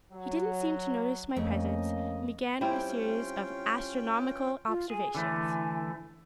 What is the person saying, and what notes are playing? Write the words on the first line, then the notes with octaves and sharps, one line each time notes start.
He didn't seem to notice my presence and began a series of astronomical observations.
F#3
F2 A3 A#3 C#4 D#5
G3 C4 C#4 E4 F4 G5
F4
G#4 G#5
D3 E3 A3